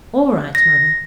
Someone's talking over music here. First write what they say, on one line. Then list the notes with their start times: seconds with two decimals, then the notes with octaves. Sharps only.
'All right, Mother.
0.55 A#6